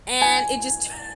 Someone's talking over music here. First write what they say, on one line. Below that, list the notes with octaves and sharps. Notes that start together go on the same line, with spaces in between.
and it just turned
G#5